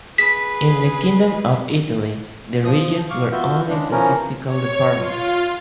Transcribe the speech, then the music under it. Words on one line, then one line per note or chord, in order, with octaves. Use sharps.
In the Kingdom of Italy the regions were only statistical department.
G#4 B4 B6
F3 D#6
F5 C#6 D6 F6
B3 F4 F#4 E5 G6
C#3 G#3 D4
E3 F3 C#4 A#4
C#5
F4